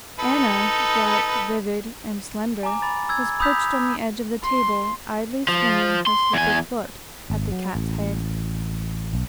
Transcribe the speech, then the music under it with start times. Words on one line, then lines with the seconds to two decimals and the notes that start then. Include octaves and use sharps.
Anna, dark, vivid, and slender, was perched on the edge of the table, idly swinging her slippered foot at the cat's head.
0.19 D#4 A4 B4
2.63 G#5 A#5 D6
2.82 B5 A6
3.09 E6 G#6
3.40 B5 D#6 E6 G6 B6 F7
4.43 C6
5.48 F3
6.07 C6
6.33 E2 G#5
7.30 G#1
7.52 F#3
7.75 A1
9.14 B1